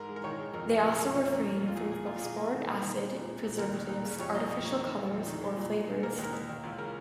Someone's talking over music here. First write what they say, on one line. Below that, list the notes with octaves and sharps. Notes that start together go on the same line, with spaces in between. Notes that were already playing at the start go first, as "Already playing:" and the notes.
They also refrain from phosphoric acid, preservatives, artificial colors or flavors.
Already playing: G#2 A#4
G#3
A#4
D#3 C#5
G#3
F2 A#4
F2
C#3
F2
F2 C#5
A#3
A#3
F2
F4
A#2 G#4
G#3 G#4
A#2 F4
F4
A#2 G#4
A#3
D#3
A#3
D#3
G#3
A#2
G#3
A#2
D#2 A#4
D#2
D#2
C#3
F2 C#5
A#3 D#5
F2 D#5
A#3 C#5
D#3
G#3
F2
D#3
G#3
A#2
G#3
G#3
A#3 A#4
D#2
A#4
D#2
D#2
C#2 F4
C#3 A#4